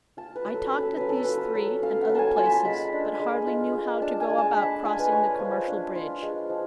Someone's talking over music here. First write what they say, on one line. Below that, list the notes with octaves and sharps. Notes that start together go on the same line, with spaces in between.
I talked at these three and other places, but hardly knew how to go about crossing the commercial bridge.
F4 A5
B4
F#3
A4
B4
C#4
A4
F#3 B4
A4
F4 B4
A4
F#3
C#4 F5
F#5
F#3
G#5 A5
F4 A5
B5
A5
G#3 B5
D4
G#3
F4
G#3
D4 A5
G#5
G#3
A5
D4 B5
F4 G#5
B4
G#3 C#5
F3
D4
F4
G#3
F3